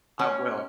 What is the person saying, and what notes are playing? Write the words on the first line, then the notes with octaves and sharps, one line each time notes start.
I will.
C#4